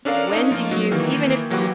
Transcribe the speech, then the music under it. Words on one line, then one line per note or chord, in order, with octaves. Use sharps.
When do you even if
C#4 D4 A4 A#4 F5
C#4 D#4
F3 A#3 F4
F#3 D#4
D#3 E3 A#3
E3 F#3 A#3 F#4 G4 B4